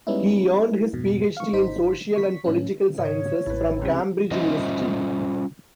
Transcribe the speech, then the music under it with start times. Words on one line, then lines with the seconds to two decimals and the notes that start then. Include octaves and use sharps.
He earned his PhD in Social and Political Sciences from Cambridge University.
0.07 G3 G#3 B3 C#4 D#4 E4
0.93 F2 G#2 B2
1.37 F5 C#6
1.53 G#1 D#4 C5 B6
2.16 C#6 B6
2.44 A2 F#3 C#4
2.98 G#2 C#3 C#5
3.46 A1 A2 E4 B4
3.81 C#2 C3
4.31 G3 C#4 F4 C5 D#5 E5